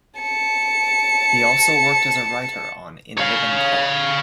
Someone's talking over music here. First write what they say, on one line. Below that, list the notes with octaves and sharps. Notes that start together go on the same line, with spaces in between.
He also worked as a writer on "In Living Color".
A5 C#7
C#5 F5